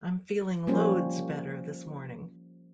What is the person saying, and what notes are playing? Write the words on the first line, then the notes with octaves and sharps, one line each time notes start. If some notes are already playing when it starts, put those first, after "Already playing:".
I'm feeling loads better this morning.
F3 G3 A#3 C#4 C5